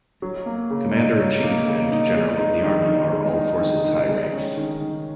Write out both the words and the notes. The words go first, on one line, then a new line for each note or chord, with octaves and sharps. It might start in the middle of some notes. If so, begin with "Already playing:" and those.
Commander in Chief and General of the Army are all-forces high ranks.
F#3
A#3
C#3
D#4
F#3
A#3
C#3
D#4
G#3
D#4
D#3
D#3
G#3
D#4
D#3
D#3
G#3
C#4
D#3
D#3